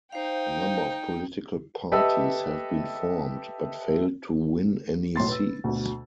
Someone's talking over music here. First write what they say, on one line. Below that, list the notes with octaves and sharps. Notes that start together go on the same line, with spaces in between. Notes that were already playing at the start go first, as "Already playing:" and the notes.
A number of political parties have been formed but failed to win any seats.
D#4 C5 F5 G5
G4 A4 B4 D#5 E5
B1 A2 C6 A6
B4 E6
D2 B2